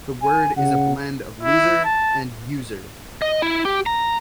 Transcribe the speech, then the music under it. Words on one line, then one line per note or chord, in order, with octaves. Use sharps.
The word is a blend of "loser" and "user".
G#5
C#3 F#5
E4
A5
D#5
E4
G4
A#5